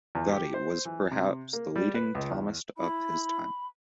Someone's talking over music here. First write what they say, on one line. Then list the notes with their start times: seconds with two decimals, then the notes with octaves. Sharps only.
Gotti was perhaps the leading Thomist of his time.
0.15 E2
0.32 G4
0.54 C5
0.85 E3
1.11 C3
1.53 A#3
1.76 G3
1.95 B4
2.15 C#2
2.30 E2
2.78 E4 B5